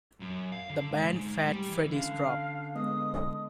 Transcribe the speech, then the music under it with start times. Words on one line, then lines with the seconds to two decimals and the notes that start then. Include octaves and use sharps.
The band Fat Freddy's Drop.
0.20 F#2
0.52 F5
0.70 D3
0.91 G#2
1.12 G#2
1.47 G3
1.69 E3
1.92 D3 C#4 F5
2.75 G#3 B3 D#5 D#6